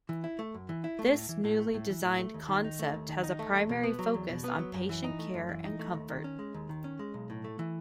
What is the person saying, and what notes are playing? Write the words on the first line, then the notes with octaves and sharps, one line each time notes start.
This newly designed concept has a primary focus on patient care and comfort.
E3
E4
A3
F#2
E3
E4
A3
A2
E3
A2
A3
A2
E3
A2
A3
D#2
D#3
D#4
A3
D#2
D#3
D#4
A3
E2
B2
B3
F#3
E2
B2
B3
F#3
F#2
E3
D#4
A3
F#2
E3
D#4
A3
D#2
D#3
C#4
G#3
D#2
D#3
C#4
G#3
B1
A2
A3
E3